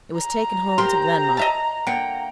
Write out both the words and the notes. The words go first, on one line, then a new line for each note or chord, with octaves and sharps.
It was taken home to Glenmont.
A#5
G4 A#4 C5 C6
D#5 E5 A5
D3 A#3 F#5 G5